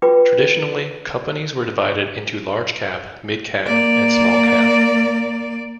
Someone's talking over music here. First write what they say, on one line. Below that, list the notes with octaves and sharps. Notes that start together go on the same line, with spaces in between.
Traditionally, companies were divided into large-cap, mid-cap, and small-cap.
F4 F#4 B4 G5 D6
A#3 D5